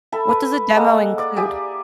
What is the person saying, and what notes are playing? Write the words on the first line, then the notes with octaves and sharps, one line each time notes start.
What does a demo include?
A4 E5 A5 B5
B4
G#3 A#3 A4 F#5
D5
G4 G#4 D5 E5